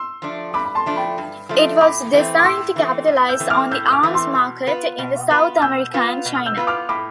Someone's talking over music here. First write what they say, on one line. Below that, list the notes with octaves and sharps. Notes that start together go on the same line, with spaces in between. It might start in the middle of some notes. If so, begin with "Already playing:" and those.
It was designed to capitalize on the arms market in South America and China.
Already playing: C6 E6
F3 A3 D4
G2 B5 D6
B5
A5 C6
F3 A3 D4
G5 B5
G2
F3 A3 D4
A2 B5 D6
E3 A3 C4
D6
A2 C6 E6
E3 A3 C4
A2
E6 G6
E3 A3 C4
D6 F6
A2 E6 G6
E6
D6 F6
E3 A3 C4
C6 E6
B2
B3 F4 B4
B2
B3 F4 B4
F6
B2 E6 G6
B3 F4 B4
B2
F6
E6 G6
B3 F4 B4
D6 F6
A2 B5 D6